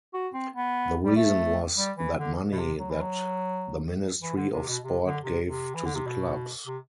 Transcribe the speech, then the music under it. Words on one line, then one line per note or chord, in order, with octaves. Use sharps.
The reason was that money that the Ministry of Sport gave to the clubs.
F#4
C4
B3
G3
A3
G3
E3
D3
B2
C3
F#3
E3
F#3
E3
D3
C3
B2
C3
D3
C3
C3
E3
D3
C3
B2
C3